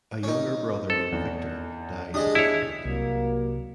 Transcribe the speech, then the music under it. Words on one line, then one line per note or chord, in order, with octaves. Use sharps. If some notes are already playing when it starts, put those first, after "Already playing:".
A younger brother named Victor died as an infant.
C#4 D#4
C4 A4
E2
G#3 D4 G4 D#5 D#6
E4 C#5
C2 F#3 G3 A#3